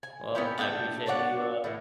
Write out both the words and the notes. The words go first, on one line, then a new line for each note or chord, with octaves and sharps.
Well, I appreciate you, uh,
G#5
B3 C#4 E4 G4
A3 D4 F5 G5
D4 C#5 D5 F#5
A2 E3